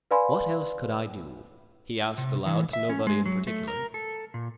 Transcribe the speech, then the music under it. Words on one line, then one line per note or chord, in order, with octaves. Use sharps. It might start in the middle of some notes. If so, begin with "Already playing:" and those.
"What else could I do?" he asked aloud to nobody in particular.
B4 D5 F5 G#5 B5 C6
C3
E3
E5
C#4
G#3
F#3
A3
A#4
A4
A#2